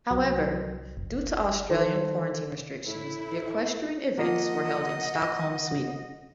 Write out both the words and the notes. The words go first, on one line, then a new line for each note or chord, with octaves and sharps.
However, due to Australian quarantine restrictions the equestrian events were held in Stockholm, Sweden.
C2 F#3
F#1
D#3 A4 C5
A2 E4
F3 A#3 F4 D#5 F#5